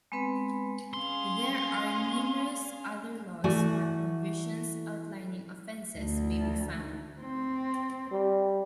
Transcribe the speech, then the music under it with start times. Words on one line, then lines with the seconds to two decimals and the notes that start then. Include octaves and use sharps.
There are numerous other laws where provisions outlining offences may be found.
0.12 G#3 B3 C4 B4 B5
0.94 C#4 G#4 F5 C6
3.44 E3 A3 F#4 D5 G#5
5.98 D2
7.21 C4
8.12 G3